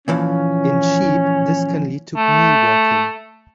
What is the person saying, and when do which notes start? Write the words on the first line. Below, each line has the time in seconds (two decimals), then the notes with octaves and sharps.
In sheep, this can lead to knee-walking.
0.08 A#2 E3 F3 C#4
2.16 A3